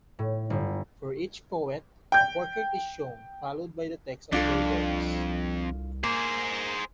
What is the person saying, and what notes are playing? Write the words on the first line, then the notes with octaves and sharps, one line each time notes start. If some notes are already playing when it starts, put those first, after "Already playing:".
For each poet, a portrait is shown, followed by the text of their works.
A2
G1
G5 G6
C2 F2 D4 F4 A4
A#3 G#4 C5